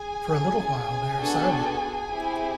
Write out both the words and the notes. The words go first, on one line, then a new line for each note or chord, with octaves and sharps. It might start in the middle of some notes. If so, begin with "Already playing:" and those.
For a little while they are silent.
Already playing: G#4 G#5
C#4 E4 A4
B3 D4 F#4 A4
C4 E4 G4